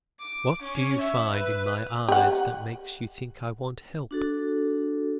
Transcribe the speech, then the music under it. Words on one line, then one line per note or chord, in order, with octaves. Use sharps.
"What do you find in my eyes that makes you think I want help?"
D6
C#4
E5
B4
G4 F#5
D4 F#4 A4